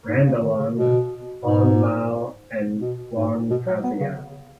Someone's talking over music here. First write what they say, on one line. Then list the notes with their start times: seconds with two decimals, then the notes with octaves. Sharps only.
Randulang, Long Mio and Long Pasia.
0.08 G#2
0.26 C#3
0.42 D#3
0.59 C#3
0.77 B2
1.44 G#2
2.81 B2
3.16 G#2
3.50 B2
3.67 F#3
3.84 B3
4.01 C#3